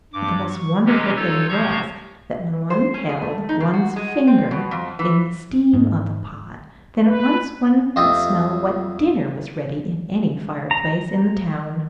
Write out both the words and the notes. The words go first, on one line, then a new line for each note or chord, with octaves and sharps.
But the most wonderful thing was, that when one held one's finger in the steam of the pot, then at once one could smell what dinner was ready in any fire-place in the town.
G2 D6
C#6
C3 E3 F#3 G#3 C#4 G4
D#4 F4 A4 C#5
C3 F3 C#5 C#6 G6
C5
C#4
G#4
A3
D#4
C#3
F#4
G#3
C4
B2
F2
E3
G#2
B4
F2 F4 G4 D#5 E5
A#5